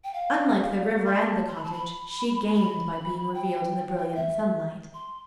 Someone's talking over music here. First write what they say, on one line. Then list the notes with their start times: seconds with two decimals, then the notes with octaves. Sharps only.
Unlike the river and the cottage, she gained by being revealed in the brilliant sunlight.
0.04 G5
0.14 F5
1.05 C6
1.13 B5
1.21 A5
1.47 C6
1.55 B5
1.64 A5
1.73 B5
2.54 B5
3.34 G5
4.15 E5
4.94 C6